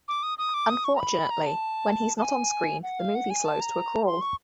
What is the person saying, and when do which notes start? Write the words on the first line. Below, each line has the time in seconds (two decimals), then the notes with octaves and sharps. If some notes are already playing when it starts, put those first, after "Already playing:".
Unfortunately, when he's not on screen, the movie slows to a crawl.
0.08 D6
0.23 D#6
0.38 D#6
0.54 D6
0.70 D#6
0.84 C#6
0.96 A#5
1.00 B5
1.30 A#5
1.46 A5
2.17 A5
2.22 G#5
2.83 F#5
2.99 F5
3.15 F#5
3.30 G#5
3.45 A5
3.60 A#5
4.06 C6
4.21 C#6